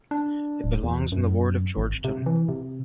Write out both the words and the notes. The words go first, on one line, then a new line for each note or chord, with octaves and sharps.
It belongs in the ward of Georgetown.
D4
D1
E2
F#2
G#1
C3
E3
C3